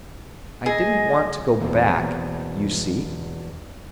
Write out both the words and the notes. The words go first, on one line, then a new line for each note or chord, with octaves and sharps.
I didn't want to go back, you see....
G#4 D#5
E2 B2 A#3 C4